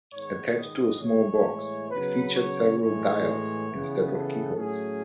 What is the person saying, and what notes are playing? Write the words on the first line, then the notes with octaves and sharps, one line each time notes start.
Attached to a small box, it featured several dials instead of keyholes.
G#2 D#3 G#3 B3 C#5
D#5
A2 E3 G#3 C#5
C#3 F#3 B3 B4
C#5
A2 E3 G#3 C#5
C#3 E3 B3
A4
A2 F#3 A3 C#4 G#4